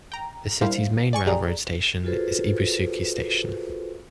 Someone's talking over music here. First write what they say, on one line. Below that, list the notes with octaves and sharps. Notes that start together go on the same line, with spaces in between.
The city's main railroad station is Ibusuki Station.
G5 A#5
G3 A#3 D4 E4 C5 F5
D5 G#5 C#6
A#1 G4 G#4 D5 A#5
F4 F#4 G#4 A4 B4 C5